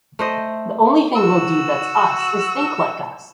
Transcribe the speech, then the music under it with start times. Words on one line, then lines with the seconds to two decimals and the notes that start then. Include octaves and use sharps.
The only thing we’ll do that’s us is think like us!
0.19 A3 C5 D#5
1.16 F#4 E6